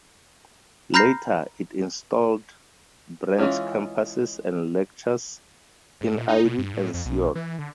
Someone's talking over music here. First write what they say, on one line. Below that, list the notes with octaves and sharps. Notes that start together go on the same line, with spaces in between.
Later, it installed branch campuses and lectures in Iri and Seoul.
A#5 B5 F6 G6 A#6 C7
E3 G#3 A#3 C#4 F4
G#2
A#2
D#4
B2
G2
A2
F2
B1
E3
D3